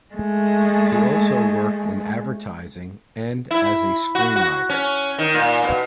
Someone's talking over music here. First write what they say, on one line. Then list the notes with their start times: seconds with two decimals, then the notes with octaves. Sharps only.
He also worked in advertising and as a screenwriter.
0.15 G#3 A3
3.51 E4
4.15 F#4
4.36 F#4
4.69 C#4
5.18 D#3
5.34 A#2
5.64 B2